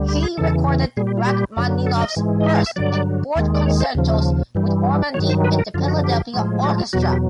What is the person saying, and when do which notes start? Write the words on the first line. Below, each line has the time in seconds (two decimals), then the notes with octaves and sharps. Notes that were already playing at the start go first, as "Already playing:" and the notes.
He recorded Rachmaninoff's First and Fourth Concertos with Ormandy and the Philadelphia Orchestra.
Already playing: D2 D3 G3
0.08 G4
0.23 G#4
0.37 E2 C#3 E3 A4
0.97 A#2 G3 G#4
1.07 G4
1.17 F4
1.26 G4
1.56 F#2 D3 F#3
1.87 A4
2.01 D#5
2.16 G#2 E3 G#3
2.40 D#5
2.46 E5
2.56 F5
2.66 E5
2.76 G2 D3 F#3 D5
3.35 D#2 D#3 G#3
3.54 D5
3.66 C#5
3.81 C5
3.95 D#2 C#3 F3
4.55 G2 E3 G3
5.14 G2 D#3 F#3 C#5
5.29 C5
5.44 B4
5.59 A#4
5.74 F#2 D3 F3 F4
5.88 F#4
6.04 G4
6.34 A2 F3 G#3
6.63 F#4
6.78 F4
6.93 E2 B2 F#3 F#4
7.03 G4
7.13 G4